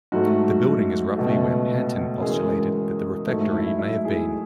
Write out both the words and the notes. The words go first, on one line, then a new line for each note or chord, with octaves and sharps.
The building is roughly where Pantin postulated that the refectory may have been.
G#2 F#3 A3 F#4
C#2 B2 A3
F#2 E3 G#3 G#4
G#2 F#3 A3
E4
E4
G#4